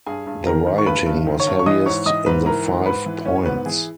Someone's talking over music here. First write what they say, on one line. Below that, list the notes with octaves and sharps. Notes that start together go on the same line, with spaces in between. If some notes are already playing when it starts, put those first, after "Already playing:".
The rioting was heaviest in the Five Points.
G2 G#4 G#5
G2
D#3 A#4 A#5
D#3
C#6
G2 B4 B5
G2
D#3
C#5 C#6
G2
C#6
E3 D#5 D#6
G#2 C#5 C#6
E3 D#5 D#6
G#2 B4 B5
E3 A#4 A#5
G#2
G#2 B4 B5
E3
E3 C#4 C#5
C#5
G#2 B3 B4
E3 G#4